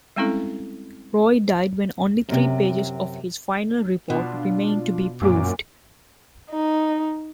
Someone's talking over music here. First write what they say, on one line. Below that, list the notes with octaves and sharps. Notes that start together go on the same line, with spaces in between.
Roy died when only three pages of his final report remained to be proofed.
G3 G#3 C4 C#4 E4 A4
F#2 C3
B2 D4 F4
F#2 A#2 D6
D#4